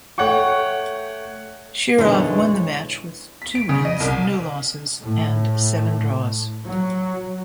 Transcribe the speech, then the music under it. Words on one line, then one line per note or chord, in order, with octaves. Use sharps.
Shirov won the match with two wins, no losses and seven draws.
A3 C#5 F#5 G5 C#6
B1 F#2 D3 E3 G#3 B4 C#5
B6
D7
C#3
D#5
C2
A2
F#3